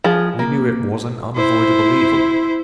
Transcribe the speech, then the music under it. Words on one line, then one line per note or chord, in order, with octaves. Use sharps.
We knew it was an unavoidable evil.
F3 G#4
A#3
E4 C5